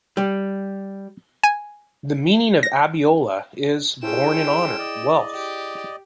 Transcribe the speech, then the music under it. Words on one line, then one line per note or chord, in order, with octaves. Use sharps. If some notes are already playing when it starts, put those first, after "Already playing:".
The meaning of Abiola is "born in honor, wealth".
G3
G#5
A#6
C#4 E4 G#4 A4 C5 G5 E7
D5 D#5
G4